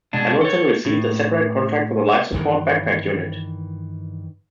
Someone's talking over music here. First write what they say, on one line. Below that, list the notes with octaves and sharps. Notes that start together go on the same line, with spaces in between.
Hamilton received a separate contract for the life support backpack unit.
B2 G#3 D4
A4 C#5
A2
G2 D#3 E3